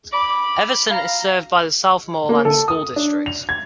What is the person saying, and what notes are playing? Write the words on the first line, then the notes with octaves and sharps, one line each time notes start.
Everson is served by the Southmoreland School District.
B5 D6
F5 A#5
A#3
A4
D#6
D4
F7
G#6